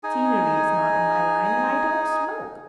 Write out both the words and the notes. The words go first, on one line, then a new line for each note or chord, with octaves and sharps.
Scenery is not in my line, and I don't smoke.
D#4 G#4 G#5